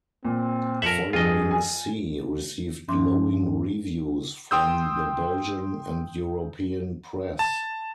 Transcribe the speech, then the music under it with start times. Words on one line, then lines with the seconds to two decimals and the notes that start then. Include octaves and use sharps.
"Following Sea" received glowing reviews from the Belgian and European press.
0.25 A#2 C4
0.82 F2 A#4 E5 A5 C#7 F#7
1.13 F2 F4 G#4 D#5
1.51 G#5
2.88 G2 F3 C#4 E5 C6 D6
4.51 G5 C6 D#6 E6 G6
7.39 A5